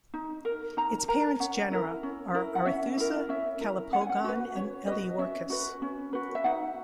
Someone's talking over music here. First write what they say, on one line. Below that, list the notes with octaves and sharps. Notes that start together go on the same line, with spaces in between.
Its parents' genera are "Arethusa", "Calopogon" and "Eleorchus".
D#4
A#4
D#4 A#5
A#4 A#5
C#4 F#5
E4 A#4
C#4
E4 A#4
F#5
C#4 E5
E4 A#4 E5
C#4 E5
E4 A#4
C#4 F#5
G#5
F#5
F#4 B4
C#4 C#5
B4 D#5
F#4
C#4 E5
F#4 B4
C#4
F#4 B4
E5
D#4 F#5